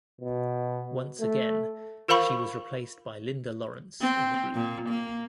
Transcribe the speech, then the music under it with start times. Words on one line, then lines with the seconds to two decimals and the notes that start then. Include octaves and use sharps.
Once again, she was replaced by Lynda Laurence in the group.
0.21 B2
1.20 A3
2.08 F4 A#4 C5 F5 B5 C#6
4.01 C4
4.54 A#2
4.89 A#3